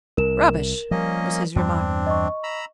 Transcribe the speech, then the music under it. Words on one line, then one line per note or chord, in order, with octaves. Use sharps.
"Rubbish," was his remark.
C2 A#4 E7
F3 G3 A#3 C#4 D#5
E2 G2 C4 D4
D#5 C#6
A#5 B5 E6